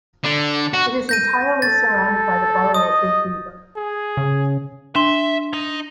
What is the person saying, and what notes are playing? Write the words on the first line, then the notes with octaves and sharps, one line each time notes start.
It is entirely surrounded by the borough of Big Beaver.
D3 D4
F#4
G6 A#6 D#7
A4 A6
D#5 D#6
G#4
C#3
D4 E5 C6 G7
D#4